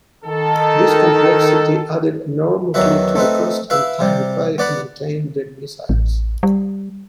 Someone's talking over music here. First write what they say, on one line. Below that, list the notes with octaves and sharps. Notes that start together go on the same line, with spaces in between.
This complexity added enormously to the cost and time required to maintain the missiles.
D#3 A4
E2 D#3 E3 F#3 B4 E5
A3 C4 D#4 B4
E4 B4 E5 F5
C3 G3
B3 D5 F#5 B5
A1
G3